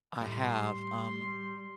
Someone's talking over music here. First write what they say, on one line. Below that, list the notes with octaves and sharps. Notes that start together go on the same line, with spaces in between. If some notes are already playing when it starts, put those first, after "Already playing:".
I have, um
A2 G3 C6
G3